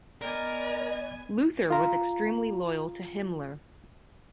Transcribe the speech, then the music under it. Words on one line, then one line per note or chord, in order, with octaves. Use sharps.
Luther was extremely loyal to Himmler.
B3 A#4 D5 D#5 G#5
F4 A#5